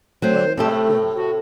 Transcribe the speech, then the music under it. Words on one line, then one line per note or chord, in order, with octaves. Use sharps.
"Well, what then?"
F#3 A3 C4 C5
A2 C3 A3 C4 G4 A4
F#4